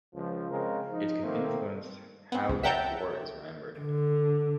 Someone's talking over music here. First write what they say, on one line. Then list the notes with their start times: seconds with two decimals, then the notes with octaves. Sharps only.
It can influence how that war is remembered.
0.15 C#2 F3
0.51 C#3 G#3 C4 F4 A#4
0.92 F3 D#4
1.23 D#3 A3 A#3 C4
2.32 B3 C4
2.49 C#2
2.63 E5 F#5 G5 A5 A#5 G6
3.79 D3